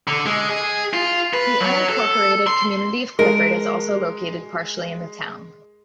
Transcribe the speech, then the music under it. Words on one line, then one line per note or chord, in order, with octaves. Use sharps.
The unincorporated community of Clifford is also located partially in the town.
D3
G#3
G#4
F4
B4
F#3
A4
C6
G#3 A#4